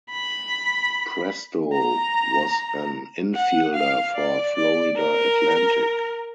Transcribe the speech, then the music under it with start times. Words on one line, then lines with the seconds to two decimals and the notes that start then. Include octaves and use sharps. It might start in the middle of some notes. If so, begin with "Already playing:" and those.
Presto was an infielder for Florida Atlantic.
0.10 B5
1.72 A#5
3.34 F#5
3.74 F5
4.15 D5
4.55 D5
4.96 A#4